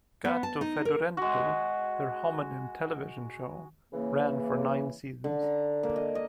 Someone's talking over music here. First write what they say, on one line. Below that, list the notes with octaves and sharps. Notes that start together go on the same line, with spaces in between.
"Gato Fedorento", their homonym television show, ran for nine seasons.
B3
A5
D#4
A#4
G#3 F#4
C#3 E3 A#3
D3
A#5
A#3
D#5
D#5